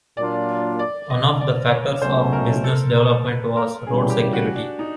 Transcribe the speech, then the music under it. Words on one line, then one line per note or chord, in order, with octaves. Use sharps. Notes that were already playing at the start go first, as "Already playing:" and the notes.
One of the factors of business development was road security.
A#2 F#3 A#3 D4 F4 D5
D5
D#5
D5
C#5
C#2 B2 F#3 A3 C#4 C5
A#4
A4
A#4
B4
A#4
C#3 E3 G3 G#4
G4
F#4
D4
D#4